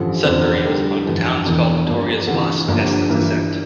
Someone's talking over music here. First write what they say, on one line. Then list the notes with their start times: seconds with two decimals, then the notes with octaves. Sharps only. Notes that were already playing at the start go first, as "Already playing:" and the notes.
Sudbury was among the town's called notorious wasps' nests of dissent.
Already playing: A1 G2 D3 F3
0.24 F1 E2 D3 F3 C4
0.64 D3 G3 D4 G4 A#4
1.05 G1 F2 E3
1.46 E1 E2 E3
1.86 G2 F3 A#3 D4
2.27 D2 C3 E3
2.68 G1 G2 F3 A#3 D4
3.08 G2 E3 A#3 E4